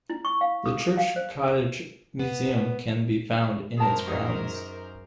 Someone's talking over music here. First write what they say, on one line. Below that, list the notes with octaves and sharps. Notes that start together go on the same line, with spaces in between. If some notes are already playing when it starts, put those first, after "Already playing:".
The Church Cottage museum can be found in its grounds.
E4
C#6
F5
D#6
D#6
F5
C5
B3
F#2 G#4 A#4 C5 A5
D#4 G#4 A#5